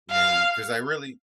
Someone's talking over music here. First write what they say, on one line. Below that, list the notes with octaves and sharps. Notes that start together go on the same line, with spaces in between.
and 'cause I really
F5